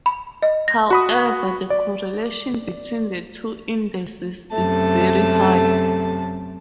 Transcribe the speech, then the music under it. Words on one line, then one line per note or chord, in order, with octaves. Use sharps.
However, the correlation between the two indices is very high.
B5
D#5
A#6
F#4 B5 D#6
D5
F#2 C3 A3 A5